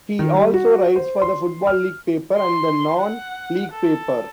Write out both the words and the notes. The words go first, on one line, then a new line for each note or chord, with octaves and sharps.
He also writes for the Football League Paper and the Non-League Paper.
D#3
G3
F#4
C5
C6
F6
C6
F#5
A4